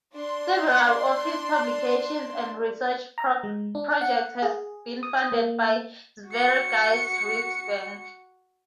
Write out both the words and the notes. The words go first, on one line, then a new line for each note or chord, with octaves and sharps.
Several of his publications and research projects have been funded by Sveriges riksbank.
D4 C6
A#5
G#3
D4
F#5
G#4
D#6
A#3
F#4 C#7